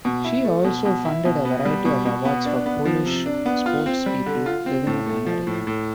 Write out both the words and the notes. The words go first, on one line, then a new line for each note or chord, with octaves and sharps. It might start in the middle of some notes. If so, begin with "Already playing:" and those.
She also funded a variety of awards for Polish sports people living in America.
B2
E4
A3
B2
B2
E4
B2
B3
G3
B2
B2
B3
D4
B3
F3
C3
D4
B3
F4
C4
G3
D3
F4
C4
A2
A3
F3
A2
A2